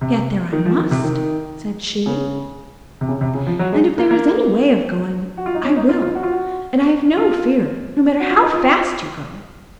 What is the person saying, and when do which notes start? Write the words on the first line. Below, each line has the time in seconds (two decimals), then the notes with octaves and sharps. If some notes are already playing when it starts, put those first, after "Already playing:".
"Get there I must," said she; "and if there is any way of going I will; and I have no fear, no matter how fast you go."
0.01 C3
0.52 D#3
0.65 F3
0.78 D#3
0.91 C3
1.04 D#3
2.06 C#3
3.01 C3
3.08 C#3
3.21 C3
3.34 C#3
3.47 F3
3.59 F#3
3.72 G#3
3.98 A#3
4.11 A#3
5.37 F#4
5.46 F4
5.55 D#4
5.64 C#4
5.76 D#4
5.89 F4
6.02 F4
6.15 F#4
6.23 F4
6.32 F#4
7.17 F4
8.20 F#4
8.31 F4
8.42 D#4
8.54 F4